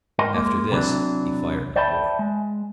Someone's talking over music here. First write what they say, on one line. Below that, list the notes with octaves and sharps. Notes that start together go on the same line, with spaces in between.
After this he fired no more.
G#2 A#4 D#5 G5 C6
G#3 A#3
C3 E3 F#3 D4
C5 D5 E5 G5 A5 B5
G#3